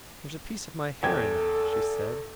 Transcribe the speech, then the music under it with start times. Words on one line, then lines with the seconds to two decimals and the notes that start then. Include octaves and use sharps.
"There's a piece of my hair in it," she said.
1.03 E2 A4 G5 G#6